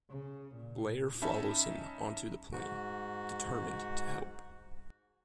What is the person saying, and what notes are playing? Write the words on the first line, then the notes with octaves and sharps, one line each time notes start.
Blair follows him onto the plane, determined to help.
C#3
A#2
C#4 D#4 E5 A5 B5
G#2 F#4